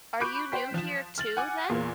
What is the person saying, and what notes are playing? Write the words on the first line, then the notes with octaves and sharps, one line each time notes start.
Are you new here, too, then?
B5 C#6 D6 F#6 G6 D7
C5 G5 B6
F3 E7
F6 A6 F#7
F#5 G#5 D6
E2 A#2 A#3